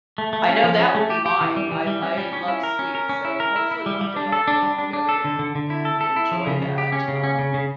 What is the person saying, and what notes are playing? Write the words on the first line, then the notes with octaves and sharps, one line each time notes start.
I know that would be mine, I I love sweets, so hopefully one day I'll be able to go there and and enjoy that, um,
A3
A3
C#4
F3
C#4
A3
G4
G4
E3
G3
E3
G3
C#4
G3
C#4
E4
A#4
C#4
A#4
C#4
E4
A#4
E4
E4
G3
G3
D4
A4
D4
G3
D4
D4
A4
D3
D3
D3
E4
A4
A4
E4
F3
C#3
C#3
G4
C#4
C#3
C#4
C#3
C#3